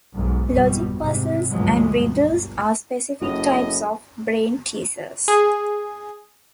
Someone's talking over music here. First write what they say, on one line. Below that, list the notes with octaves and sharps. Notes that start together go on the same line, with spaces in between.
Logic puzzles and riddles are specific types of brain teasers.
B1 G#2
G#1 F2 B2 G3
G#1 C3
D2 G2 B2 F3 F#3 G#3
G1
F#1 A2 F#4 B4 D#5
G#4